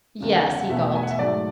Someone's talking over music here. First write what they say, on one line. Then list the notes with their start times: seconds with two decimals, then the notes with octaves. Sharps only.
"Yes," he gulped.
0.20 E2 C#3 G#3
0.32 F#5
0.45 G#5
0.57 F#5
0.69 E2 B2 A3 E5
0.95 G#5
1.03 F#5
1.11 E5
1.19 G#2 F#3 A3 D5